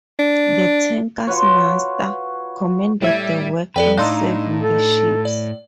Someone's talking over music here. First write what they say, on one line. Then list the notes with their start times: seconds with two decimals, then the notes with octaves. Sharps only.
The tanker's master commended the work in saving the ship.
0.19 D4
1.27 F4 F#4 B4 C#5
3.02 A2 G3 E5 G#6
3.76 F2 A4 B4 D5 G5
3.98 A2 D4 D#4 F5 C6 E6
4.60 A4
5.25 D5